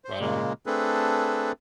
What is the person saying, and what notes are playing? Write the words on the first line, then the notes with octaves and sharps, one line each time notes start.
but, um
C5
A#2 C#3 G#3 A#3
A3 C4 D4 G#4 A4 B4